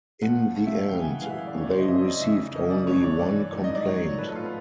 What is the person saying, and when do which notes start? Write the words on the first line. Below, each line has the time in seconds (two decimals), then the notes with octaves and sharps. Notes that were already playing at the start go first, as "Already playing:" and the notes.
In the end they received only one complaint.
0.22 A2 F3 F#5
0.55 A2 F3 F5
0.67 E5
0.77 F5
0.88 F#2 C#3 E3 G5
0.99 G#5
1.10 F#5
1.22 F#2 C#3 E3 F5
1.30 E5
1.47 D5
1.54 F2 C#3 F#3 C#5
1.63 D5
1.71 C5
1.79 D#5
1.87 F2 C#3 F#3 E5
1.98 D#5
2.10 D#5
2.20 F2 C#3 E3 E5
2.54 F2 C#3 E3 D#5
2.70 D5
2.86 G2 E3 C#5
3.03 D5
3.19 G2 E3 D5
3.52 G#2 D#3 F#3
3.64 D#5
3.75 D5
3.86 G#2 D#3 F#3 C#5
4.18 A2 F3 B4
4.27 A4
4.35 F4
4.44 B3